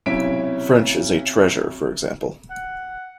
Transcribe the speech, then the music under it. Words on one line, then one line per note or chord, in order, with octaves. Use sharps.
French is a treasure, for example.
B1 C3 C#4 E4 B6 D7
F#5